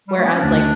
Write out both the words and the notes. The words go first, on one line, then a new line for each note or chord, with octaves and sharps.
whereas, like,
G3
A3
B3
C#4
D2 D4